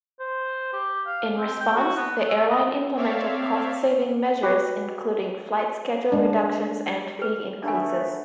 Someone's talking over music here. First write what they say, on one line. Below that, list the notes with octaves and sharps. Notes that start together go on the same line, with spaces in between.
In response, the airline implemented cost-saving measures, including flight schedule reductions and fee increases.
C5
G4
F5
C4
G5
F#4
B3
E5
D#5
C4 C#5 D5 E5 F5
F#4 G4 B4
G#3 D4
G#4 B4
D#3 A3 B3 D4 G#5